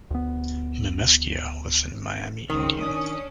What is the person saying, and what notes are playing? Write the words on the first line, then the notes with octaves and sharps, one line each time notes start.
Memeskia was an Miami Indian.
D2 B3
C#2 D#3 C4 D#6
C#4 D4 D#6